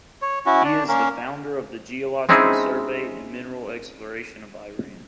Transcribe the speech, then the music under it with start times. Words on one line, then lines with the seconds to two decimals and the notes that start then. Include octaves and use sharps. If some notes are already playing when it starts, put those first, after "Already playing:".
He is the founder of the Geological Survey and Mineral Exploration of Iran.
0.22 C#5
0.46 C#4 E4 F#4
0.64 D4
0.88 A#3 C#4 A#4
2.29 G#3 C4 C#4 D#4 E4 G#4